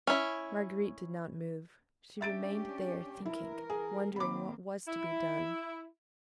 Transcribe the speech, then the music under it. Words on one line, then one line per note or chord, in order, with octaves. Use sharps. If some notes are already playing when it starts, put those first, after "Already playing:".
Marguerite did not move, she remained there, thinking . . . wondering what was to be done.
C#4 E4
C#4 D4 G4 E5 A6 D7
E3 E4 A#4
G#4
D#3 A#3 C4 B5 D6
E4